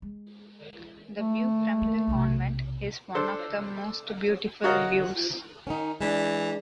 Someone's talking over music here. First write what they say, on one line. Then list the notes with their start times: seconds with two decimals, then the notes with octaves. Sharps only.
The view from the Convent is one of the most beautiful views.
0.02 G#3
1.16 A3
1.82 A#3
2.07 B1 C3
3.15 D4 A4 C5
4.64 F#4 A#4 C#5 D#5 F5
5.67 D#3 C#4 D#4
6.01 E3 G#3 D4